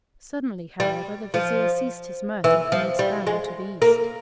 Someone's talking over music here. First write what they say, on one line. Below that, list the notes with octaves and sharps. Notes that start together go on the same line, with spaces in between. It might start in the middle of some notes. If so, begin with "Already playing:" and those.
Suddenly, however, the Vizier ceased his mirth, and commenced bowing to the east.
G3
F3
E3
F3
G3
G#3
A#3